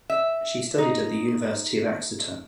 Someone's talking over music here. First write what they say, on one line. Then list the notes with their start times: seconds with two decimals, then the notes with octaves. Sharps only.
She studied at the University of Exeter.
0.10 E5
0.78 D#4